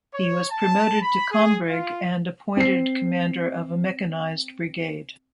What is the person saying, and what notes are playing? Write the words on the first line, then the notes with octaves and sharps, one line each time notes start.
He was promoted to kombrig and appointed commander of a mechanized brigade.
C#5
A5
B5
G#4
F4
C4 C7